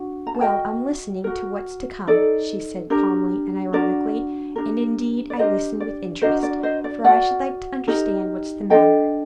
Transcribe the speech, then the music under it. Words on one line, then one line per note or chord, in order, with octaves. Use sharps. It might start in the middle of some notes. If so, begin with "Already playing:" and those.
"Well, I'm listening to what's to come," she said, calmly and ironically; "and indeed I listen with interest, for I should like to understand what's the matter."
Already playing: D4 F#4
A#5
A5
F#4 A#4 D#5 G5
F#4 A#4
D#4 A4 D5
D4 G4 A#4
D4 F#4 A#4 D5
D4 G4 A#4
D5
D4 G4 A#4 C5 D#5
D5
D4 F#4 A#4 C5 D#5
D5
C5 D#5
D5
F#4 A#4 D5 F#5
D#4 G4 A#4
D4 A4 D#5 G5